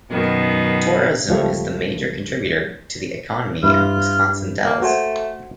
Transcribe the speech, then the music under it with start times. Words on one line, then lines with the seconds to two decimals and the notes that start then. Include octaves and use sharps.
Tourism is the major contributor to the economy of Wisconsin Dells.
0.11 F#2 B2 D#3
1.29 C#2 F3 G3 A3
3.63 G2 E4 F4
4.65 A#3
4.82 A3 F#4 C5 G#5